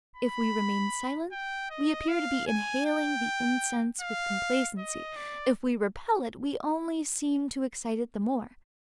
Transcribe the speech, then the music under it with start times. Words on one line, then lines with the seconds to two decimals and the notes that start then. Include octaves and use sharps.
If we remain silent, we appear to be inhaling the incense with complacency; if we repel it, we only seem to excite it the more.
0.16 B5
1.32 G5
1.70 D#5
2.08 F5
2.47 G#5
2.86 G5
4.01 F5
4.78 D#5
5.16 D5